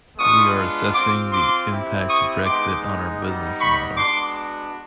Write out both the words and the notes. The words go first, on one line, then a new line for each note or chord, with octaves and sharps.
We are assessing the impact of Brexit on our business model.
G#3 B3 D4 F4 C#6 D#6
C4 F4 C6 D6
C6 D6
C4 E4 G4
C#6 D#6
G#3 B3 D#4 C6 D6
G3 B3 D#4
B5 C#6
G#3 B3 D4 F#4 C6 D6